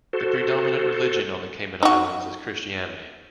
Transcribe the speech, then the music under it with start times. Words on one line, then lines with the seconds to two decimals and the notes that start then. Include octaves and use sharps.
The predominant religion on the Cayman Islands is Christianity.
0.13 F#4 A4 C5
1.83 D#4 F#4